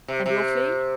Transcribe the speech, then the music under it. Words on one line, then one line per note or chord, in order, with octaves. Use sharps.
"And your fee?"
C3
C3